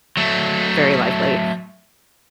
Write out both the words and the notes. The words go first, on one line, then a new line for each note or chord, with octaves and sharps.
very likely.
F#3 A3